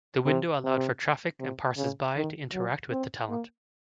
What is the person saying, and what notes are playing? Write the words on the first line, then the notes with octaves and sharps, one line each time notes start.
The window allowed for traffic and passers by to interact with the talent.
C3
C3
C3
C#3
D#3
F#3
C4
A#3